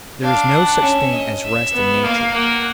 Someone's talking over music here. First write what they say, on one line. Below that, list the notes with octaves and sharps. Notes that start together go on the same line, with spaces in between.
There is no such thing as rest in nature.
D4 F5
F#5
C#4 E5
D#5
E5
B3
A#3 F5
A#3 F#5